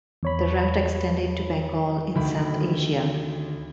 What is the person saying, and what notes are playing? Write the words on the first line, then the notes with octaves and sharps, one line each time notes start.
The route extended to Bengal in South Asia.
E2 C#5 B5
D2 D#3 B5